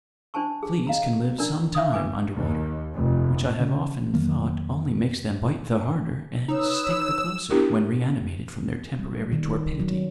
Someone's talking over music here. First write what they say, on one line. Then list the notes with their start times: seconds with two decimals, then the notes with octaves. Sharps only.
Fleas can live some time under water; which I have often thought only makes them bite the harder and stick the closer, when reanimated from their temporary torpidity.
0.34 D4 C5 G#5 A5 C#6
0.63 G#4
0.87 D#5 F5 A#5
1.38 D4 A#4 D5 A#5
1.75 E5 F5 D#6
1.92 B4 G#5 D6
2.34 D#2
2.95 F1
3.59 C#3
4.14 F2 D#3 F#3 A#3
6.48 D#4 B4 C#5 D#6 E6
7.50 B3 D4 E4 G4 A#4
8.99 G3
9.32 D#3
9.80 F#3